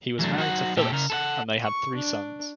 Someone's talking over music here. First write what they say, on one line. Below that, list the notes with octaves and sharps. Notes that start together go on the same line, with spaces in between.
He was married to Phyllis, and they had three sons.
E3 F#3 A3 D4
F#3 D#4 F#4 B4 C5 F#5
A#2 A3 G4 A4
C#3 A#4
A4 B4 F#5
C#6
D4